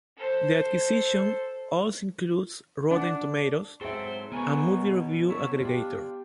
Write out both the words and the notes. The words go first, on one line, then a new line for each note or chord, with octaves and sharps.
The acquisition also includes Rotten Tomatoes, a movie review aggregator.
A4 C5
D4 F#5
G#2 F#3 G#4 A4 C5 E5 G5
B2 B3 A#4 B4 C#5 G#5
F#3 C#5 E5
D4 F4 G4